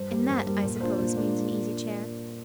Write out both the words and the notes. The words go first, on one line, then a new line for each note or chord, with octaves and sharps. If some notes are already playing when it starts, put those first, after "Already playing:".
"And that, I suppose, means an easy-chair?"
Already playing: G2 C5
G3 A#3
G2 C5
G3 A#3
A#2 A#4
A#3 D4 F4 C5
A#2 C5
A#3 D4 F4